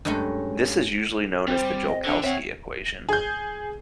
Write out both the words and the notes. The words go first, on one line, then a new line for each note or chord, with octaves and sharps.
This is usually known as the Joukowsky equation.
G2 F#3 G#3 A3 C#4
G3 C4
D#5
D3 D4
C4 C#5 E5 F#5
G#4 G6